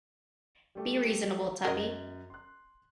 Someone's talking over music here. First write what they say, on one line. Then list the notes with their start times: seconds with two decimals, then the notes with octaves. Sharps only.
Be reasonable, Tuppy.
0.75 G3 A3 G4
1.65 F#2 A#4 D#5
2.30 C6 F#6